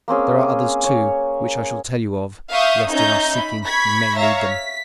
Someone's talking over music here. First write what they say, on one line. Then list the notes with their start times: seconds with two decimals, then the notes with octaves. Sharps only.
There are others, too, which I shall tell you of, lest in our seeking we may need them.
0.08 A#3 C4 C#4 G#4
0.84 C#5
2.50 E5 F5 C#6 D#6 G6
2.90 C#4 D#4 E5 A#5 G6
3.36 B5
3.65 B5 C#6 G#6 B6
4.16 C#5 E5 F5 A#5 C#6
4.48 B6